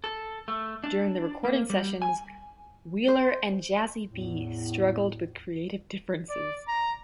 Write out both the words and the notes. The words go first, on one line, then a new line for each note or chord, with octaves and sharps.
During the recording sessions, Wheeler and Jazzie B struggled with creative differences.
A4
A3
D4
A#3
G3
G#5
C5
E2 A2
D5
A#5